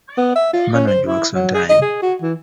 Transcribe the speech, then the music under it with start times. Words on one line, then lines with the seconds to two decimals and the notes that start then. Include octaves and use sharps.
Manoj works on time.
0.17 B3
0.36 E5
0.53 F4
0.74 C#4
0.87 C5
1.07 E4
1.34 F#3
1.54 G#4
1.69 D#5
1.82 G#4
2.02 F#4
2.22 E3